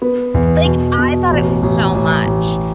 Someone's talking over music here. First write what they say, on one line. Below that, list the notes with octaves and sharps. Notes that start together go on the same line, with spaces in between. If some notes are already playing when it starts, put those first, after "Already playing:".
Like, I thought it was so much,
B3
E2
B2
B2
A1
A1
A1
A1